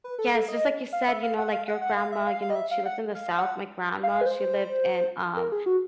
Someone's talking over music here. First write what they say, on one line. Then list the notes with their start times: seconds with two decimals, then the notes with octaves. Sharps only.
yes just like you said, you know, like, your grandma, you know, she lived in the South, my grandma, she lived in, um,
0.04 B4
0.19 A4
0.34 A4
0.48 D#5
0.93 F5
1.08 E5
1.23 F5
1.38 F#5
1.53 F5
1.68 F#5
1.82 F#5
1.97 F5
2.12 E5
2.27 F5
2.42 F5
2.50 D#5
2.55 E5
2.71 F5
2.86 F#5
3.15 F5
3.38 F#5
4.03 F5
4.21 B4
4.26 C5
5.37 A#4
5.52 G#4
5.66 F#4